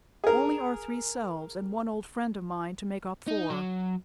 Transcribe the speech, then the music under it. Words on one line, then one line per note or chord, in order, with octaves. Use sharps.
Only our three selves, and one old friend of mine to make up four.
G#4 A#4
D#4
F#3